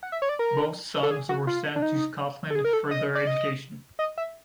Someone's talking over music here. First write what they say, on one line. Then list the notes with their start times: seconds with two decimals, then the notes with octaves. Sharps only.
Both sons were sent to Scotland for their education.
0.03 F#5
0.12 E5
0.22 C#5
0.29 D5
0.39 A#4
1.03 A4
1.11 G#4
1.29 F#4
1.47 F4
1.76 D4
1.82 D#4
2.50 A4
2.55 G#4
2.65 A#4
2.73 A4
2.91 D#5
3.15 D5
3.27 D#5
3.99 D#5
4.18 E5